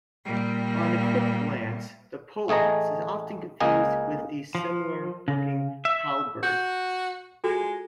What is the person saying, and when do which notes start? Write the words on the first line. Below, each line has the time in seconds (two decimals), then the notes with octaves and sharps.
On quick glance, the pollaxe is often confused with the similar-looking halberd.
0.25 A#2 G3
2.48 A1 A3 G#4 D#5 A#5
3.60 C#2 A#3 G#4 D#5 G#5
4.55 F3
5.28 C#3
5.85 E5
6.43 F#4 G6
7.44 G#3 F4 F#4 A4